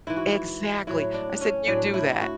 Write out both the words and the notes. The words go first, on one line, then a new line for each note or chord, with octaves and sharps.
Exactly. I said, "You do that,
G#2 E3 E4
F#4
E4
A2 F#3 E4
D4
C#4
A2 F#3 D4
E4
E4
F#4